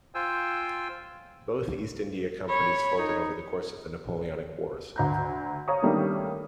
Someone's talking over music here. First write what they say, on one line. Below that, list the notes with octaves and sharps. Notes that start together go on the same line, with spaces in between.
Both East India Companies folded over the course of the Napoleonic Wars.
F4 C5 G5 G#5 E6
C#5 B5
D#4
D2 A#5 G6
C#5 F5 A#5 C#6 D#6
D#3 G3 A3 A#3 C#4 D4